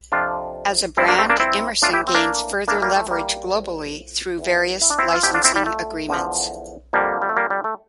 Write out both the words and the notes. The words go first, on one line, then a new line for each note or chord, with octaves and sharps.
As a brand, Emerson gains further leverage globally through various licensing agreements.
F2 C3 F3 D4 F4
G2 F3 C4 E4
A#3 D4
A3 C4
A#3 D4
C4 E4
A2 E3 D4 F4
E4 G4
C4
A#3 D4
G2 E3 A#3 D4
G3 A#3
A3
G3 A#3
A2 F3
E2 E3
E4
D4
C4 E4
F4
F2 D3 F3 E4 G4
D4 F4
C4 E4
G3
A3
E2 D3 F3
F2 D3 F3 G3 A#3
G3
A3
G3 A#3
G3
A3